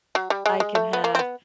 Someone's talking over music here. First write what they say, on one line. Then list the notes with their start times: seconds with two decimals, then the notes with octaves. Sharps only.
I can have
0.15 F#3
0.30 G3
0.46 G#3
0.60 G#3
0.75 A3
0.93 B3
1.04 A#3
1.15 C4
1.19 B3